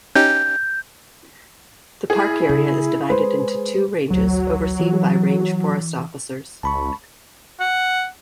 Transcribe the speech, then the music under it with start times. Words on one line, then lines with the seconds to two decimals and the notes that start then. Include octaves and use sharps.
The park area is divided into two ranges, overseen by range forest officers.
0.15 C#4 D#4 G4 G6
2.10 E4 G#4
2.49 C#3 A3
3.10 G#3 B4 C5
4.10 A1 D2 F#3
4.80 E3
6.63 C#2 A5 B5 C#6
7.60 F#5